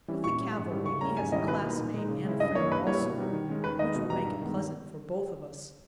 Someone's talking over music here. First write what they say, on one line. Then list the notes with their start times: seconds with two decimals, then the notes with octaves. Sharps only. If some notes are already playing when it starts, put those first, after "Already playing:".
With the cavalry he has a classmate, and a friend, also, which will make it pleasant for both of us.
0.08 E3 G3 C#4 E4
0.24 A#2 C#6
0.40 G3 C#4 E4
0.55 G#2
0.71 G3 C#4 E4
0.85 C#3 C#6
1.01 G3 A#3 C#4 E4 A#5
1.17 G#2 G#5
1.32 D#3 G3 C#4 E4 D#5
1.48 B2 B4
1.63 A#3 D#4
1.79 A#2
1.94 G#3 D#4
2.09 C#3
2.25 G#3 C#4 E4
2.40 G2 D#5
2.55 E3 A#3 C#5
2.72 G2 B4
2.87 G3 A#3 E4 C#5
3.02 B2
3.18 G3 B3 D#4
3.33 D#3
3.49 G#3 C#4
3.64 D#3 B4
3.79 G#3 D#4 D#5
3.95 B2
4.10 G3 B3 D#4 A#5
4.25 G2
4.42 D#3 G#3 B3